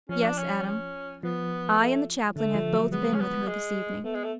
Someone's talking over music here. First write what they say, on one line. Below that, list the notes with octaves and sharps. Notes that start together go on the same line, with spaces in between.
"Yes, Adam; I and the chaplain have both been with her this evening."
F3 C#4
D4
C#4
C#4
F3 B3
A3
D3 A3
F3
F#3
G#3 B3
C#4
B3
G#3
A3 B3
G#3
A3